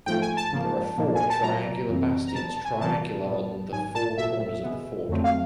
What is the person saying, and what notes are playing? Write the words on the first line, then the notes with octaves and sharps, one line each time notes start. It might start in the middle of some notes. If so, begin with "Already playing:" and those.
There are four triangular bastions triangular on the four corners of the fort.
G#2 F3 A3 G5
G#5
A5
C#3 F3 A#3
A#2 F3 A#3
G#5
A5
A#2 F#3 A#3 A#5
F#2 C#3 E3 G3 C4
A#5
B2 G3 B3 A5
A5
G#5
C3 E3 G3 B3 A5
A#2 G3 B3
G#2 D#3 F#3 G#5
A5
A#2 F#3 A#3 E5
B2 G#3 B3
F2 D3 F#3 A3 C4
F5